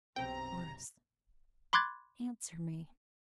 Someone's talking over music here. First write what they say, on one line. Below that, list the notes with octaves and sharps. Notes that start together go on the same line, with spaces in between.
"Doris, answer me."
B1 F#2 C3 C4 G5 A#5
B5 C6 D6 F#6 G#6 A6